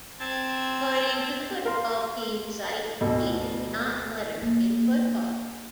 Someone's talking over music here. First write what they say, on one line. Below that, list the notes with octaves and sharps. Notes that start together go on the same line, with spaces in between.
According to the football team site, he did not letter in football.
C4 A5 G#6
A#4 F5 C6
D2 B2 A4
A#3